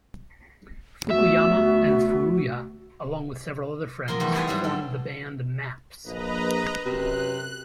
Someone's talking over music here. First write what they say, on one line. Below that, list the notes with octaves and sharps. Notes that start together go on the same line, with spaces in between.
Fukuyama and Furuya, along with several other friends formed the band Maps.
D2 B3 F#4 E5
F#2 C3 F3 A#4 C6
E2 G#2 G3 A3 B4
G#2 B3 G4 G#4 B4 G#5
G#2 F#3 G3 E5 F5
D4 A4
A#1 B4 D#5 A#5
F#2 C3 B4 F#6